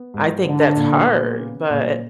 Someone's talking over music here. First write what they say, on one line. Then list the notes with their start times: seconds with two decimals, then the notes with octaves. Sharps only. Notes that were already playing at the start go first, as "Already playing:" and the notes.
I think that's hard, but
Already playing: B3
0.14 G#2
0.45 D3 D#4
0.76 A#2
1.08 B3
1.39 C#3
1.70 A#2